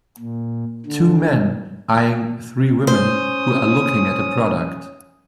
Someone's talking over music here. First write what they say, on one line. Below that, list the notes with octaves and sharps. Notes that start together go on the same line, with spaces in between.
Two men eeyeing three women who are looking at a product.
A#2
D3
C#4 C5 D#6